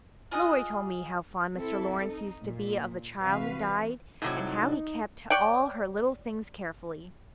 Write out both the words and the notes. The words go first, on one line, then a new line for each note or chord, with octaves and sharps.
Laurie told me how fond Mr. Laurence used to be of the child who died, and how he kept all her little things carefully.
F4 G#4 D#5 F#5
C4 E4 A4
D#4
A#2
C3 E3 F#4 B4 F5
A2 C3 F#3 D#4
C#5 D5 F#5 G5